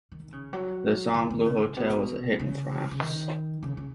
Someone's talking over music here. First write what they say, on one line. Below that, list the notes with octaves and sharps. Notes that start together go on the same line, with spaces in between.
The song "Blue Hotel" was a hit in France.
D#3
C#3
F#3
D#3
D#3
C#3
G#2
B2
C#3
C#3
D#3
C#3
C#3